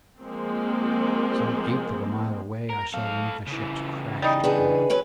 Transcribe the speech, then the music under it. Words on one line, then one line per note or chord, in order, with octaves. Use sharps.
Some eighth of a mile away I saw one of the ships crash to earth.
F3 G#3 A#3 C4
A#4
A4 F5
C#3 E3
G3 D#4
B3 D4 G#4
F#3 C#4 B4